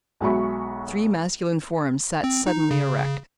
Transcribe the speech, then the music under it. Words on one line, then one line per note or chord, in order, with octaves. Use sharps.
Three masculine forms sat suddenly erect.
B1 G#3 F#4 E5 B5 C#6
C4
D#4
C#3